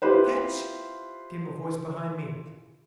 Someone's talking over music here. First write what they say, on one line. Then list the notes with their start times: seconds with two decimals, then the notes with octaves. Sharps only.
"Catch!" came a voice behind me.
0.02 E4 F4 G4 B4 C5